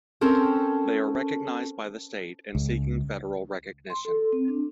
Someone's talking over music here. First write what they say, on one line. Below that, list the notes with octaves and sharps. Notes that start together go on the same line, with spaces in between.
They are recognized by the state and seeking federal recognition.
C4 C#4 A4 A#4 C5
C#2
C6
A4
C4
D4